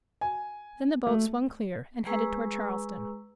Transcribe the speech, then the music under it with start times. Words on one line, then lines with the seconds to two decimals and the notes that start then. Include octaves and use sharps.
Then the boat swung clear and headed toward Charleston.
0.21 G#5
1.07 A3
2.06 G#3 G#4 B4 A#5 C#6 E6